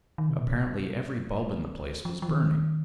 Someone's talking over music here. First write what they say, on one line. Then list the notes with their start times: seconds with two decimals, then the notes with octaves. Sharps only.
Apparently every bulb in the place was burning.
0.18 D#3
0.30 C3
0.41 A#2
0.52 C3
2.05 F3
2.22 F3
2.28 D#3